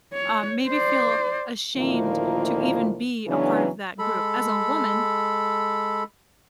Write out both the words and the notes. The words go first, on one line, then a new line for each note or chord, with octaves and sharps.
um, maybe feel ashamed to even be a part of that group. As a woman,
C#5
C5 D5
D2 A#2 D#3 F3 A#3 E4
C#3 E3 F#3 B3 C#4 D4
G#3 A4 B5